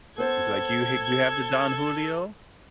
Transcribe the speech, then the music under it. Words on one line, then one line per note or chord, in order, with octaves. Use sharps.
He's like, you hate you have the Don Julio?
B3 A4 C5 G#6